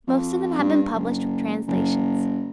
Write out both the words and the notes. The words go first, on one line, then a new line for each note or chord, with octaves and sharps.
Most of them have been published with translations.
F2
G2
F#1
F#1